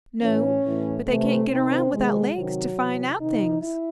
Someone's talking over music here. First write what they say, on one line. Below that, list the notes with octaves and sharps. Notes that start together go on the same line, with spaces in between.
"No; but they can't get around, without legs, to find out things."
A2 E3 C#4
A2 E3
C3 E3 A3
C3 D#3 C4
C3 D#3 G#3
C3 D#3 F#3
C3 E3
C3 D#3 D#4
E4